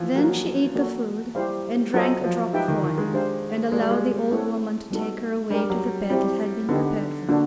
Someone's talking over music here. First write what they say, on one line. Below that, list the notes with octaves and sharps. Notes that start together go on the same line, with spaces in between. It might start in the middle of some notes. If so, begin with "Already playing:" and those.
Then she eat the food, and drank a drop of wine, and allowed the old woman to take her away to the bed that had been prepared for her.
Already playing: E3 F3
F#3 A#3 D#4 F#4 A#4
A#3 C#4 F#4 A4 D5
G3 E4 G4 C5 F5
F#3 C#4 F4 A4 C5 D#5
F3
D#4 G4 B4 E5 G5
D#3
D#3
G#3
D4 G4 C5 F5
G#3 F#4 A4 D5
G3
G#3
A3 C4 E4 A4 C#5 F#5
G3 B3 D#4 F#4 A4
G3 D4 G4 A#4
F#3
G3 C4 E4 G4
D3 B3 D#4 G4
D3 A#3 D4 F#4